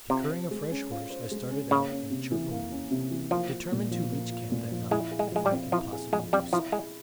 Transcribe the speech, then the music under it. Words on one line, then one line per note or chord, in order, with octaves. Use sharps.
Procuring a fresh horse, I started out in a cheerful mood, determined to reach camp that night if I could possibly do so.
C3 F4
C5
G#3
C#4
F4
C5
G#3
C#4
C#3 A#3
C#4
C3
E3
A#3
C#4
C3
E3
F3 A#3
F4
A#2
F3
A#3
F4
A#2
F3
G#3 E4
G#4
G#3
F3 G#3
G3
C4
F3 E4
G#4
F3 G#3
G3 C4
F3 E4
G#3 G#4